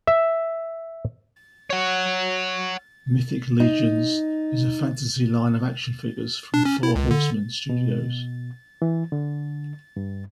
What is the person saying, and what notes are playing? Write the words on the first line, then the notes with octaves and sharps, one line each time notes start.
Mythic Legions is a fantasy line of action figures from Four Horsemen Studios.
E5
C#5 F#5
D#4
D4
C#4
E4
C#2
D3
B2
E3
D3
G2